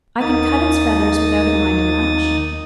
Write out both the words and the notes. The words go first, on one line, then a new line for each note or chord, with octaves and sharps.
I could cut its feathers without it minding much.
D#2 D#3 A#3 D#4 D#6 A6